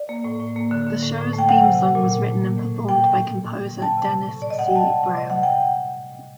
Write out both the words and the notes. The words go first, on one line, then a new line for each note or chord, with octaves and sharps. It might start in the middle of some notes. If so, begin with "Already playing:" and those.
The show's theme song was written and performed by composer Dennis C. Brown.
Already playing: D5
A#3
A2
A2
A#3
D3
D3
A2
A2
A3
G5
F#3 F#5
C3
C3
A#2
A#2
A3
A#3
A2
A2
A2 G5
A2
A3
A#3
D3
D3
G5
F#3 A5
C3
C3
A2
A2 D5
D#5
A3 F#5
G5
G3 A5
C3
C3
D#5
A3
F#5
C3
G5
C3